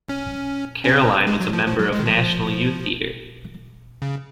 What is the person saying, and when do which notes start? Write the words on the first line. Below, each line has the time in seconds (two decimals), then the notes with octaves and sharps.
Caroline was a member of National Youth Theatre.
0.09 C#4
0.84 C#4
0.88 C4
1.27 G#3
1.40 F#3
1.53 F3
1.66 F3
1.79 F#3
1.93 G#3
1.99 D#3
2.06 F3
4.02 C#3